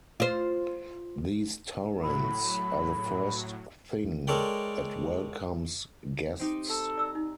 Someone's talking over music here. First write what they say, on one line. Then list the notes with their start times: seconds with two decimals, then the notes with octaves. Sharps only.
These torans are the first thing that welcomes guests.
0.20 F4 C5
2.03 A2 F#3 B5
4.27 G#3 A4 A#4 C#5 D5 G5
6.40 C4 D#4 G4
6.70 A4 A#5
6.98 D5 E6
7.15 D#4